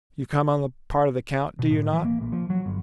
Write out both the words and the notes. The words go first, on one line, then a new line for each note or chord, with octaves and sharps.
"You come on the part of the count, do you not?"
B2
A2
E3
A#3
A#1
F3
F#3
G1